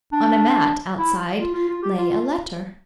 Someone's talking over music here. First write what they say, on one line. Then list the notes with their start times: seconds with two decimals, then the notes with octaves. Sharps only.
On a mat outside lay a letter.
0.12 D4
0.98 E4
1.41 F4
1.54 F4
1.69 F4
1.82 G4
1.98 F4
2.11 F4